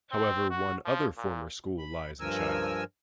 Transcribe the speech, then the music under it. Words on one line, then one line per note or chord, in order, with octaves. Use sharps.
However one other former school lies in Shiloh.
C4
F#4
F3
A#2
B5
G2 F3 A#4 G#5 E6